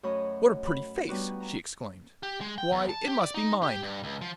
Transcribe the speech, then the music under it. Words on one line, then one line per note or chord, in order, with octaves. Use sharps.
'What a pretty face!' she exclaimed, 'Why, it must be mine!
F#2 A3 C#5 D#5 B5 D#6
B5
G3 B3 D4 D#4 F#4 B4
A#5
G4
G#3
G5
E2
A5
G4
D5
D#4
G4
G2
C#2
F3